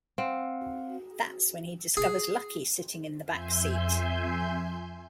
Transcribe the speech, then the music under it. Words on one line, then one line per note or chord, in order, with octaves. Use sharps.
That's when he discovers Lucky sitting in the back seat.
C4 F5 F#5
G#4
F2 E5 G#5 C6 G6